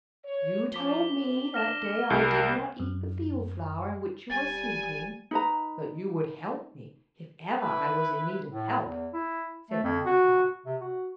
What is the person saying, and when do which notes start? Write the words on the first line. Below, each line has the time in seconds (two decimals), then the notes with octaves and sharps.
"You told me that day I did not eat the field flower in which you were sleeping that you would help me if ever I was in need of help," said Brindle Cow.
0.25 C#5
0.73 F3 D6 B6 G7
1.16 F#2
1.54 D4 F6 A#6 E7
2.10 C2 A#4 C7
2.80 F#2
4.30 D1 G3 G#5 A6
5.31 D#4 B4 A#5
7.59 E4 B4
8.52 A2
8.83 E2
9.13 E4
9.71 A3
9.84 F2
10.06 F#4
10.66 C3
10.81 F#4